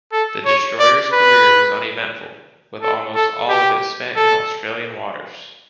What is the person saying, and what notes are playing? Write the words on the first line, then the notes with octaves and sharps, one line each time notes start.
The destroyer's career was uneventful, with almost all of it spent in Australian waters.
A4
C#5
D5
B4
A4
A4
G4
A4